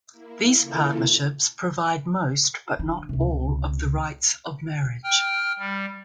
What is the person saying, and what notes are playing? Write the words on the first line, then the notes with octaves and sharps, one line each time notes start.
These partnerships provide most but not all of the rights of marriage.
A#3 E4
C#3 E3 A#3 E4 F4 A4
D3
C#2 C3
G5 F6
G3